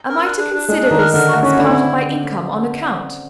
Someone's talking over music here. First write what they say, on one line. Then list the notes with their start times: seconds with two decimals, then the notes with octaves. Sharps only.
"Am I to consider this as part of my income on account?"
0.09 A#4
0.24 D4
0.38 D4
0.53 D4
0.69 G#3 D4 G#4
0.83 D4
0.91 D#3 D#4
0.98 A#4
1.13 D3 D4 A#4
1.28 F#4
1.43 C#4 F#4
1.59 D3 D4 E4
1.69 C4